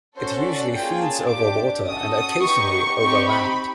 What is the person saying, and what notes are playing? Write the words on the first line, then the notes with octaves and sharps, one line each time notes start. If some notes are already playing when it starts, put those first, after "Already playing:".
It usually feeds over water and occasionally over land.
C#4 F#4 A4 C5
D5
A#3 C#4 F4 G#4 G5
A5
D4 G4 D6
C#4 F#4 A4 D#6
D#6
B3 D#4 G4 C#6
C4 D#4 G4 C#6
B5